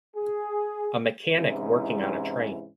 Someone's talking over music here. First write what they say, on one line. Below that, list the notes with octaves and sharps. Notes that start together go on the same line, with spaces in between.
A mechanic working on a train.
G#4
G#2 C3 E3 C#4 D#4 E4